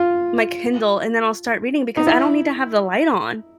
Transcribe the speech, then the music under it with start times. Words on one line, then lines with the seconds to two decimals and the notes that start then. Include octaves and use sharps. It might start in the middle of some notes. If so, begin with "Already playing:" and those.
my Kindle and then I'll start reading because I don't need to have the light on.
Already playing: F4
1.97 D#4
2.07 E4